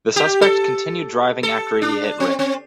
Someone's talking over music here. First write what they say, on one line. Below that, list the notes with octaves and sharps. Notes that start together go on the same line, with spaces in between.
The suspect continued driving after he hit Rick.
G4
A4
A4
D4
C4
C4